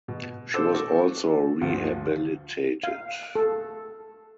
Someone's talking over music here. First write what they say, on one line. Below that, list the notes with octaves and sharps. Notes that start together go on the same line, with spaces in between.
She was also rehabilitated.
B2
A4 C5 D6 E6 E7
F#4 A4 D6
D2 G2 D3 F3
F5
A4